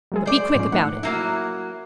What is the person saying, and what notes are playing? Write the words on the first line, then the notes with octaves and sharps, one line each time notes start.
"But be quick about it."
F#3 G#3 G#4
C5 D5
G#2 F3 C#4
A3 D#4 F#5
F#3 A#3 E4